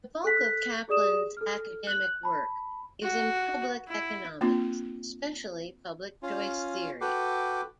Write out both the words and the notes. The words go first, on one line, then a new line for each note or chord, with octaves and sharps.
The bulk of Caplan's academic work is in public economics, especially public choice theory.
A4 F#6 B6
G4 G#4 D5 D#6 E7
A4 F6
F#6 F#7
A5 B5
F#4
E4
A#3 C4 D4 F4
C#4 F4
F#4 A4 B4 G5 D6